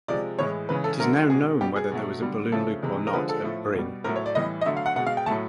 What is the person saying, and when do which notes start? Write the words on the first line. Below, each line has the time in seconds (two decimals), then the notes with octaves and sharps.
It is now known whether there was a balloon loop or not at Bryn.
0.08 C3 F3 G#3 D5
0.39 A2 E3 G#3 C#5
0.69 C#3 E3 G#3 B4
0.84 A4
1.00 D3 F#3 A3 A#4
1.30 B2 G#3 G#4
1.61 B2 G3 G4
1.76 G#4
1.92 B2 F#3 A3
2.22 D3 G3
2.52 C#3 F3 A3 A4
2.82 C3 E3 G#3
3.07 A#4
3.13 D3 F3 G#3 B4
3.29 A4
3.43 A2 F3 A3
3.74 B2 G3
4.04 A2 F#3 A3 A#4
4.16 C#5
4.26 D5
4.35 A2 E3 G3 D#5
4.61 D#5
4.66 D3 F#3 A3 E5
4.77 F5
4.86 F#5
4.96 B2 F#5
4.99 G#3
5.07 F5
5.17 G5
5.26 A2 F#3 A3 A5